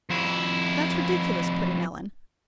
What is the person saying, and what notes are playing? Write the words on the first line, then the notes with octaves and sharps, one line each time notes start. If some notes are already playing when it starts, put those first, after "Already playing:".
"That's ridiculous!" put in Ellen.
F2 E4